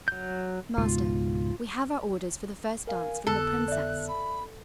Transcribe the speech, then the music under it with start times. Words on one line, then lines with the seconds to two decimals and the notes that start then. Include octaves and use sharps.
"Master, we have our orders for the first dance from the princess."
0.08 F#3 G6
0.78 C#2 G#2 B2 F4
2.87 A#4 F5 G#5
3.27 F2 D3 B3 A4 F#6
3.68 D5 E5
4.08 B5